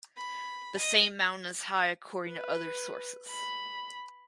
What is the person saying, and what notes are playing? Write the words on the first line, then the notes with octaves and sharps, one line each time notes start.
The same mountain is high according to other sources.
B5
D#5
B4
B5